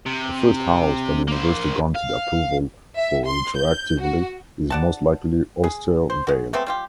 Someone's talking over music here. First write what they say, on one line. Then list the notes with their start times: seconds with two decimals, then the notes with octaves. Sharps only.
The first house that the University granted approval for retroactively is most likely Osterweil.
0.06 C3
1.28 A#3 C5
1.95 F5
2.97 E5
3.26 C6
3.56 G6
4.01 F#4
4.70 D5 F#5 A5
5.64 G#4
6.10 C5
6.27 G#3 F#4
6.53 G#3 A3 B3 C4
6.66 G3 F4 G4